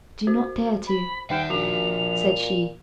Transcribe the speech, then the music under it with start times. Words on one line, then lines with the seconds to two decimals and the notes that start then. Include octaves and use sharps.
"I do not dare to," said she.
0.27 F#4 C5
0.87 B5
1.30 D#3 D#4 E5 F#5 G5 E7
1.50 A#2 F3 D4 F#4 F7